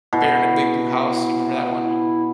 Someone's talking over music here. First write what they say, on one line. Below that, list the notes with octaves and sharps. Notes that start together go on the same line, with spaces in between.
Bear in a Big Blue House, do you remember that one?
B2 E4